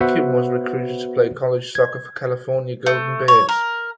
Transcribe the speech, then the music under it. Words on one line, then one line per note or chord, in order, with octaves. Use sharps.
Kim was recruited to play college soccer for California Golden Bears.
B3 F#4 B4 C5 E5 F#5
G#6
A3
C#5
A#4